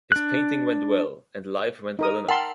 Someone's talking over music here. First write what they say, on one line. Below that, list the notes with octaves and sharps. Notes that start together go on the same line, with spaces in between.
His painting went well, and life went well enough.
D4 F#6
D#4 A#4 D#6
A#4 F#5 G5 A5 C6